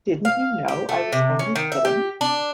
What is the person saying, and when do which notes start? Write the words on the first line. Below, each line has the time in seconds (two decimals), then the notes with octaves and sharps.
Didn't you know I was only kidding?
0.25 F5
0.68 G4
0.89 A3
1.12 C3
1.39 C#4
1.55 D#3
1.72 E5
1.85 G4
2.21 D4